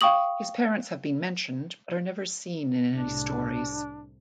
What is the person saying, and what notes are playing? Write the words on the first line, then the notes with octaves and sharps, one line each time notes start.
His parents have been mentioned but are never seen in any stories.
F5 G5 C#6 D#6 F#7
C2 A2 C3 D4